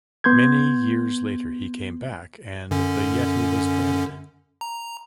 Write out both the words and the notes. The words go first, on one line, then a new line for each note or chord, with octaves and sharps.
Many years later, he came back, and the yeti was dead.
B3 C6 G6 G#6
F#2 D3 C#4
A#5